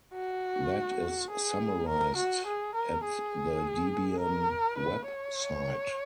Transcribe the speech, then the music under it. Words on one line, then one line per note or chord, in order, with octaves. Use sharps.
That is summarized at the Debian web site.
F#4
G#4
A#4
F#4
G#4
A#4
G#4
A#4
B4
C#5